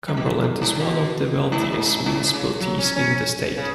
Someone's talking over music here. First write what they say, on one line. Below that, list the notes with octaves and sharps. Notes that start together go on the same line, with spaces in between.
Cumberland is one of the wealthiest municipalities in the state.
F#2
B2
G#2
F#2
G#2
B2
G#2
G#2
C#3
F#3
C#4
C#4
C#3